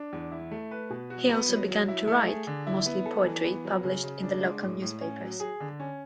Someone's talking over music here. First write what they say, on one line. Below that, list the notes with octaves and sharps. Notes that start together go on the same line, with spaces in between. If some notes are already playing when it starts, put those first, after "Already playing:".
He also began to write, mostly poetry published in the local newspapers.
Already playing: D4
E2
E4
A3
B4
B2
F#4
B3
F#3
F#3
E4
A3
G#4
D3
E4
B3
A4
E3
B3
F#3
C#3
C#3
D4
G#3
A2
A2
C#4
F#3
G#4
D3
C#4